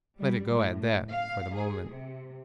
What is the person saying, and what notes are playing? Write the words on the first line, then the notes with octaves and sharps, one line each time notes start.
Let it go at that, for the moment.
G3
A2
F5
G#4
C3